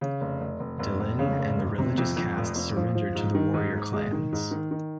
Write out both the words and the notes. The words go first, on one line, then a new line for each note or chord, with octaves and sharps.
Delenn and the religious caste surrendered to the warrior clans.
C#3
F1
F1
F1
F1
F1
C#3
F1
F1
C3
F2
F2
F1
F2
F3
F3
G#2
D#3
G#2
G#2
G#3
D#3
G#2
D#3
D#3